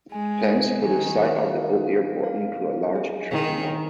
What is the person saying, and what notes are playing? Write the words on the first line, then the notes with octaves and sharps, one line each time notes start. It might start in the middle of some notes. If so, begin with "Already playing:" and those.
Plans for the site of the old airport include a large shopping mall.
G#3 G#5
D#3 G#5
F5
F5
G#4
D#3 G#4